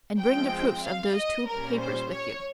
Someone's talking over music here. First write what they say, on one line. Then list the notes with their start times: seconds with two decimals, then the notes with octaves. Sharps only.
And bring the proofs of those two papers with you.
0.20 F3 G#3 C4 G5
0.84 F5
1.16 D#5
1.48 A#2 G3 C#4 A#4
1.80 C5
2.12 C#5